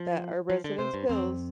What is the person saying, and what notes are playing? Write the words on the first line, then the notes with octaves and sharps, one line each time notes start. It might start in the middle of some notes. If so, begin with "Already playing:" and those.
that our residents' pills
Already playing: F3
F3
D3
C3 C5
G2
F2 C4